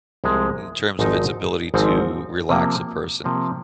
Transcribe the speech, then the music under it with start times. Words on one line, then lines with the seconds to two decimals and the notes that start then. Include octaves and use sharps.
In terms of its ability to relax a person
0.24 C2 C3 F3 G#3
0.99 G#1 G#2 F3 C4 D#4
1.74 G#1 G#2 F3 C4 D#4
2.49 C3 F3 A#3
3.24 C3 F3 A#3